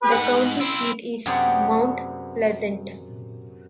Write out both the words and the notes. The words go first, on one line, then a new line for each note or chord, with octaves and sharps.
The county seat is Mount Pleasant.
G#2 F#5
C4 E4
F#2 C3 B3 G4 G#4 D5